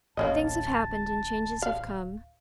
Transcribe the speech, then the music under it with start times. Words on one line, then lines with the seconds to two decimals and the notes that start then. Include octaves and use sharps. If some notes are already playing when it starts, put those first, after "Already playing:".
Things have happened, and changes have come.
0.17 D1 A1 A#3 C#4 D#5 A5
1.62 F5